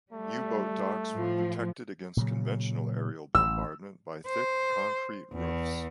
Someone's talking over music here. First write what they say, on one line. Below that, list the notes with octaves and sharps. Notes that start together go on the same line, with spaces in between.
U-boat docks were protected against conventional aerial bombardment by thick concrete roofs.
G3 A3
A2 F3
A#2 C#3 F#3
A1 E6
C5
E2